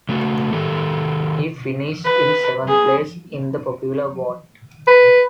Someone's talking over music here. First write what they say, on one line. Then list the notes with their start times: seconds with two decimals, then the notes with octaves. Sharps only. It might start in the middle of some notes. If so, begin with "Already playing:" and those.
He finished in seventh place in the popular vote.
0.09 C#3 A3 F#4
0.53 D#3 G4 A4
2.05 B4
2.68 G#4
4.88 B4